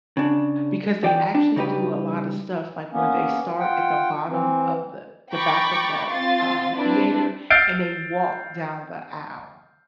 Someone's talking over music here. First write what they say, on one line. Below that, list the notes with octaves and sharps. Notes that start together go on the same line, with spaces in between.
because they actually do a lot of stuff, like, where they start at the bottom of the the back of the, um, theater and they walk down the aisle
C#3 D4
E2 D5 G5
D4
C#3 G3 D#4 G4 B4
A#3 B3 C#4
F4 F#5 G5
E3 C4
G5 A#5 B5 C#6 D6 A6
C4 F4 C6 A6
C4 D4 E4 B4
E6 F6 G6 A6 C7 D7